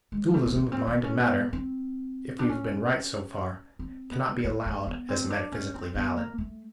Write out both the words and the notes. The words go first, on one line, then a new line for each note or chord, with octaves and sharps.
The dualism of mind and matter, if we have been right so far, cannot be allowed as metaphysically valid.
G#3
A3
B3
A#3
C4
C4
C#4
B3
C4
D4
C#4
C4
B3
A3
A3
B3
C4
D4
C#4
C4
B3
A#3
A3